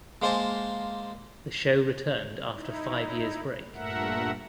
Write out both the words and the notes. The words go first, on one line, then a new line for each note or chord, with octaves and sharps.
The show returned after five years break.
G#3 A#3 C5 G#5 A5
D#4 E4
G2 A#2 A3 A#4 E5 F#5